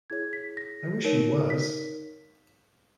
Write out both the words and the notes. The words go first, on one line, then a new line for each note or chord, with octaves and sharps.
I wish he was!
E4 G#4 C#5 G#6
B6
A#6
D#4 A#4 C#5
B6